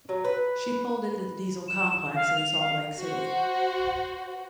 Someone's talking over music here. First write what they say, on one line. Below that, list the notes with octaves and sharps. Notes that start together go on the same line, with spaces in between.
She pulled into the Diesel Complex in Salt Lake City.
F#3
B4
E7
F5
F7
F5
F#4 C5